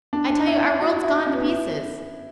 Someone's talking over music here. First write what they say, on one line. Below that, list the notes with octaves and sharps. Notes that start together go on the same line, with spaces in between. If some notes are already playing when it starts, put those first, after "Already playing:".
I tell you--our world's gone to pieces.
D4
D4
E4
E4
F#4
E4
C#4
B3
C#4
E4